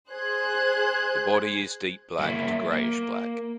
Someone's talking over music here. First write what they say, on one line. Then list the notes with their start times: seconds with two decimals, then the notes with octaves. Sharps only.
The body is deep black to greyish black.
0.11 G#4 C5 F#6 G#6
2.19 F#3 A#3 E4
2.71 A#3